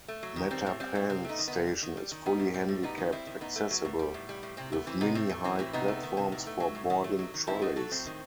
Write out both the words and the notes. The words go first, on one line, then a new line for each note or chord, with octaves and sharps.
Mattapan station is fully handicapped accessible, with mini-high platforms for boarding trolleys.
A3
F#3
D#3
G3 C4
A2
G3 C4
A2
C3 C4
A3 B3 D#4
D#3
C3 B3
G3
D#3
G3
D#3
G3 B3 D#4
A2
G3 C4
A2
G3 B3 D#4
D#3
G3 C4 E4
D#3
A2 B3 D#4
A3
F#3
A2
G3
A2
G3
A2
C3 C4
A3 B3
E3 C4
C3 B3 D#4
A2 C4
A3
E3 C4
A2 C4
C3 B3 D#4
A3
D#3
C3
A2
A3
F#3
A2
D#3
A3
F#3
D#3
A2 C4 E4
A3 D#4 F#4
F#3 F#4 A4
A2 C4
D#3